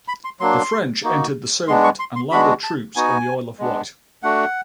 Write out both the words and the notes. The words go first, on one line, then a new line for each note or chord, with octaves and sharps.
The French entered the Solent and landed troops on the Isle of Wight.
B5
C6
F#3 A#3 D4 C6
A#3 D#4 F#4
G#3 B3 D4 C6
C#6
C6
C6
G#3 B3 D4 F#4 B5
A5
B3 D#4 F#4 G#5
G#3 B3 D4
A3 D4 F#4 F#5